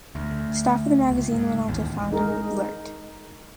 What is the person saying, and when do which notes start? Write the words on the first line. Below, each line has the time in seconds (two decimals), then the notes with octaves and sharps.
Staff of the magazine went on to found "Blurt".
0.15 D2
1.11 C#2
1.32 G#2
1.68 A1 D#2
2.12 G#3 D#4 A#4